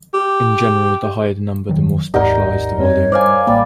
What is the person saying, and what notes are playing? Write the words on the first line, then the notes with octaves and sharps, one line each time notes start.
In general, the higher the number, the more specialized the volume.
G4
F1 D#3 F#3
G#1 D#2 G#2 D#4 G4 A#4 D5 F#5
F2 C4 C#4 C#5
G2 C5 D5 F5 G#5
A1 G3 A#3 D5